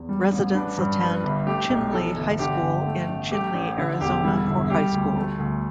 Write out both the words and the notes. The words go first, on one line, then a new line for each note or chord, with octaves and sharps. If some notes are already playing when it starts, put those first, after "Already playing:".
Residents attend Chinle High School in Chinle, Arizona, for high school.
Already playing: E2
G3
A1
D4 B4
G2
G3 B4
G1
A3 G4
B1
E3 A4
G1
D3 G4
G1
A3
A1
A3 G4
A1
D3 E4
E1 G4
G3 E4
G1 E4
G3 G4
D2
A3
D2